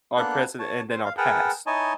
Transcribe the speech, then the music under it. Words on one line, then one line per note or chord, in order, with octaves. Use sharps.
our present and then our past.
A#3 B3 D4 A4 F#6
C#5 A5
C5
F5
G#4 A#4 B4 F#5 G5 A5
D#4 E4 C#5 D#5 G#5 A5